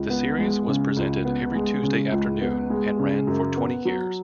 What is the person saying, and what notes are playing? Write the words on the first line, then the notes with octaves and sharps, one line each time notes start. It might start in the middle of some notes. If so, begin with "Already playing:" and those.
The series was presented every Tuesday afternoon and ran for twenty years.
Already playing: C#2
B3
G#3
C#3
C#2
B3
G#3
C#3
C#2
B3
G#3
C#3
F#2
B3
F#3